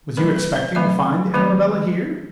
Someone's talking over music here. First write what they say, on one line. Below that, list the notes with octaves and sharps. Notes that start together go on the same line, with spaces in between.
"Was you expecting to find the Arabella here?"
D#3 F#3 A3 C4 A#4
B4
C5
D#3 F#3 A3 C4 E5
D#3 F#3 A3 C4